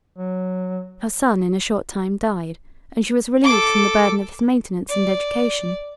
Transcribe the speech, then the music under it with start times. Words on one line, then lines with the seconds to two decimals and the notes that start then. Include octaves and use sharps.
Her son in a short time died, and she was relieved from the burden of his maintenance and education.
0.18 F#3
3.44 A4 D6
4.89 D5